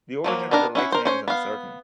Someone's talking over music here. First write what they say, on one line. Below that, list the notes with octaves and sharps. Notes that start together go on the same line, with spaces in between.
The origin of the lake's name is uncertain.
F3 F#3 A#3
D#3 B3 D4 A#4
C#4 E4 F#5
A#4 C5
C#4 C5 C#5
B3 F5